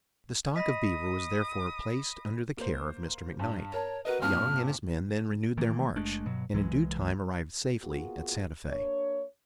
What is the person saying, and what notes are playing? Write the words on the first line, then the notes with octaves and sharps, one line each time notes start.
The stock of beaver was therefore placed under the care of Mr. McKnight. Young and his men then renewed their march, and in due time arrived safely at Santa Fe.
D#5 B5 D#6 A#6 B6
A#3 C5
G2
A#4 C#5 A5
F#4 A#4 B4 D#5
G2 A#2 C4 F6
D#3 E3 A3 A#3
F#1 G#3 A3 D4
G2 B2 F#3
C2 E3 F#3 G#3
A#3 B3 F4 F#4 G#4
A#3 D4 C#5